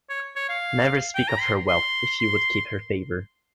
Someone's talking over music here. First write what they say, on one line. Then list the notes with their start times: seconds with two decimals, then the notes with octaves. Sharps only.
Never speak of her wealth, if you would keep her favour.
0.09 C#5
0.36 C#5
0.49 F5
1.14 G5
1.28 A#5
1.41 C6
1.68 C6
2.19 C6